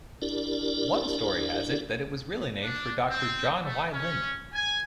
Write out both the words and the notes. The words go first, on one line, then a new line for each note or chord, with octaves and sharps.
One story has it that it was really named for Doctor John Y. Lind.
D4 E4 G4 A#4 D5
D4
C4
A3
C#4
G#5